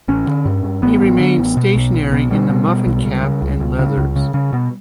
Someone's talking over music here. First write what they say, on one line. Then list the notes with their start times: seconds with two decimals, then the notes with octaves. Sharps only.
He remained stationary in the muffin-cap and leathers.
0.08 A1 C#4
0.27 D3
0.45 G2
0.64 G2
0.82 A1 B3
1.01 A1
1.19 D3
1.38 A1
1.57 B2
1.75 B1
1.94 B1
2.12 B2
2.31 B2 G3
2.49 B2
2.68 B2
2.87 B1
3.05 C#2
3.23 C#3
3.42 C#2
3.60 C#2
3.79 C#3
3.97 C#2
4.16 C#3
4.34 C#3
4.53 B2